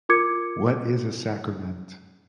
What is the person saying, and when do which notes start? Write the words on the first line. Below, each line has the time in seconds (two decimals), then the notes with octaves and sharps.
What is a sacrament?
0.09 F4 A#4 D6 G#6 C#7